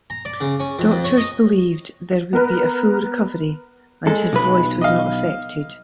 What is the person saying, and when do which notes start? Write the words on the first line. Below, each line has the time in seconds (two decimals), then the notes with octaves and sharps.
Doctors believed there would be a full recovery, and his voice was not affected.
0.10 A#5
0.25 D5
0.41 C#3
0.60 C#4
0.79 F2
0.92 F2
1.04 C#5
1.17 D#5
2.33 B3 A#4 B4
4.07 G#3 A4
4.33 B1 B4
4.81 D#5 F5